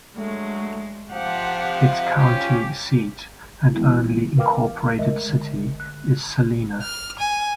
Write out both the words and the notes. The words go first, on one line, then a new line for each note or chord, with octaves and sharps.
Its county seat and only incorporated city is Celina.
D3 F#3 G#3 A3
C3 F3 G4 F#5
C#4 F4 G4
E3 G3 G#3 B3 E4
A#4 B4 F5 G5 D6 F6
G#3 A3 A#4 D#5 E5
D3
F#6
F6
G#5